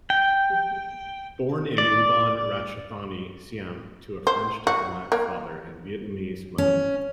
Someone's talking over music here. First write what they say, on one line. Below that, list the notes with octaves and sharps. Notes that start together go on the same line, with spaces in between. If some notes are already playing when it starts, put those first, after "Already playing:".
Born in Ubon Ratchathani, Siam to a French diplomat father and Vietnamese mother.
G5
D5
C5
F#4
A#3
C#4